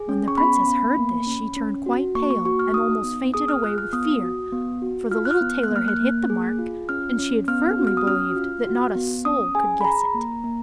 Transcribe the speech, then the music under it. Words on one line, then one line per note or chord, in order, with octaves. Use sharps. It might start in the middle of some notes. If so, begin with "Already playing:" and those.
When the Princess heard this she turned quite pale, and almost fainted away with fear, for the little tailor had hit the mark, and she had firmly believed that not a soul could guess it.
Already playing: G#4
C#4
C#6
B3 B5
B3
A#3
C#4
C#4
F#4
A#3 C#6
C#6
F#4 C#6
F6
D#4 D#6
B3
G#4 D#6
F6
F4 F#6
F6
B3 D#6
F#4
B3
F#4
F4 F6
F#6
F6
B3
F#6
A#3 F6
F#6
A#3
G#4
F4
C#4 F6
C#4
B3 F6
F#4
F6
D#6
C#4 F6
F4
F#4
B3
C#4 D#6
G#4 G#5
B5
G#4 A#5
A#3
A#3